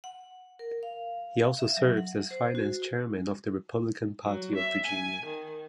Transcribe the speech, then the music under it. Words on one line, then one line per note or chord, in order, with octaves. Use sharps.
He also serves as finance chairman of the Republican Party of Virginia.
F#5
A#4
F5
E5
F#3
F#5
C5
F#4
F#3
E5
G#5
D#3